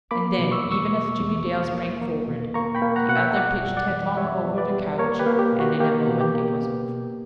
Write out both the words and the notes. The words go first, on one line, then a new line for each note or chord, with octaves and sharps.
And then, even as Jimmie Dale sprang forward, the other pitched head long over the couch--and in a moment it was over.
A#3 B5 D6
B2
C#6 E6
E2
C#6 E6
A#3
E2
E2
A#3
A#3
B2
A#3 A#5 C#6
G5 B5
A#3
F#5 A#5
B2 F#5
E5 G5
G3 D5 F#5
F#2
D5 F#5
E3
G3 C#5 E5
B3
B4 D5
G3
A#3 A#4 C#5
G4 B4
A#3
G4
B2
F#4
A#3 G4
B2
G4
A#3
B3
B2